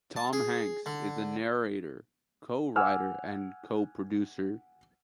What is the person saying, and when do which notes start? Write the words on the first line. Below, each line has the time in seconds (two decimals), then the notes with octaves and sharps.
Tom Hanks is the narrator, co-writer and co-producer.
0.16 A5
0.33 G#4
0.86 D3
2.76 F#5 G#5 D6 E6 F6